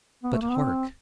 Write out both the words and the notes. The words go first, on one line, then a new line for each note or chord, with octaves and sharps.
But, hark!
B3
A3
A#3
B3
C4